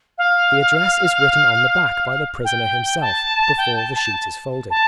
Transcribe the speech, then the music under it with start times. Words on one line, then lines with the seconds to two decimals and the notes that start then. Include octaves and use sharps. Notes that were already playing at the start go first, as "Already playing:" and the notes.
The address is written on the back by the prisoner himself, before the sheet is folded.
0.18 F5
2.45 G5
3.01 A5
3.57 G5
3.76 A5
3.95 A5
4.70 A5